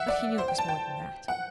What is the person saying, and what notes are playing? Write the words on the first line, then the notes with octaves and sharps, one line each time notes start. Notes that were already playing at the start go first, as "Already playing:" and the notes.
But he knew it was more than that.
Already playing: E5 F#5
D5
C5
G5
A5
G5
F#5